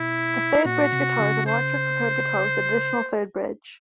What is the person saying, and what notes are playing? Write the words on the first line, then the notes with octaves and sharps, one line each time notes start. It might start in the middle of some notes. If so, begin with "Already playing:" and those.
The third-bridge guitar is an electric prepared guitar with an additional, third bridge.
Already playing: B2 E4
A#2 F#4
C3
C#3
C5